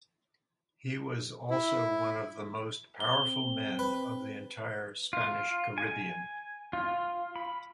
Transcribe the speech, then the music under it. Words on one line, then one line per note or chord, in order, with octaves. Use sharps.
He was also one of the most powerful men of the entire Spanish Caribbean.
E4
C4 G7
B4
F4
G#5
F4
B5